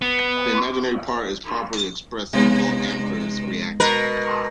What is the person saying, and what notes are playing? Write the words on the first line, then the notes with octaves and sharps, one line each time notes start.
The imaginary part is properly expressed in volt-amperes reactive.
B3
C3 G#3 B3 D#4
B2 A#4 B4